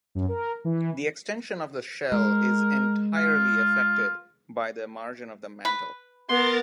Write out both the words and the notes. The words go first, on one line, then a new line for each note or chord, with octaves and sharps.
The extension of the shell is entirely effected by the margin of the mantle.
F#2
A#4
E3
G#3 A#4
F4
B4
B3 A#4 C6 A6